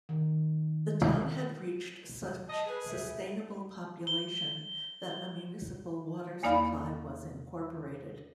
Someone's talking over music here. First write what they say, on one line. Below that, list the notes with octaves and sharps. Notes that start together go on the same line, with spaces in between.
The town had reached such sustainable population that a municipal water supply was incorporated.
D#3
D#5 A5
G#4 B4
E5
G7
E2 A#3 D#4 D5 F5 B5